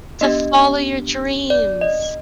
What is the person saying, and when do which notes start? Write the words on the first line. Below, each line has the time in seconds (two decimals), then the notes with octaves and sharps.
To follow your dreams.
0.21 B3 D4 G4 D#5
1.50 D5
1.81 D#5